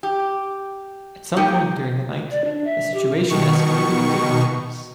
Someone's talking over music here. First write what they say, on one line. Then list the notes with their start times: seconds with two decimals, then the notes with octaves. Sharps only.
At some point during the night, the situation escalated into violence.
0.03 G4
1.37 G3 A#3 D#4 G4 D#5 G5
2.31 D5
2.45 D4
2.64 E5
2.94 G4
3.30 B2 D#3 C#6